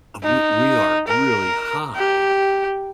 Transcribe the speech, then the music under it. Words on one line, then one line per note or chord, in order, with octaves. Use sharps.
we we are really high,"
D#4
A#4
G4